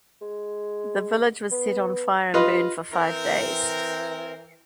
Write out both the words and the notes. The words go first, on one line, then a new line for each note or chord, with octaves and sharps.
The village was set on fire and burned for five days.
G#3
B3
G2 F4 B4 D#5
E3 C4 A#4